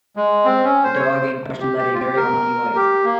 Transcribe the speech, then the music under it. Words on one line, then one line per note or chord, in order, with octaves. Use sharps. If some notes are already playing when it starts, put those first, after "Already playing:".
The dog in question led a very unlucky life.
G#3
C4
C#4
C5
C#5
C5
G4
G4
F4
G4
A#4
G4
A#3